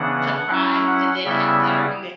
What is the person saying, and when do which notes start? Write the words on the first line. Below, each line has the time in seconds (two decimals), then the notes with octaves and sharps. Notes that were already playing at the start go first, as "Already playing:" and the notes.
"Surprise," and then at dinner, you
Already playing: C#3 E3 B3 D4 F#5
0.49 F#3 C#4 E4
0.88 F#5
1.25 C#3 G3 B3 E4 E5